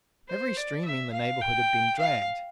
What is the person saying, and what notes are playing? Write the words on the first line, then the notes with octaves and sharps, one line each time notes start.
Every stream in the neighbourhood had been dragged.
C5
D5
E5
F5
G5
F5